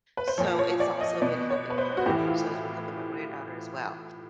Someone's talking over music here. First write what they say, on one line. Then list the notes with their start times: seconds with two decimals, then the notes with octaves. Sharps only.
So, it's also been helping her, so it's been helping my granddaughter as well.
0.17 B4
0.28 C5
0.38 A#2 F3 C#5
0.59 C#5
0.80 D5
1.01 D#5
1.22 B2 D5
1.50 C#5
1.70 B4
1.78 C5
1.97 F#4
2.06 A2 E3 G4
2.27 F4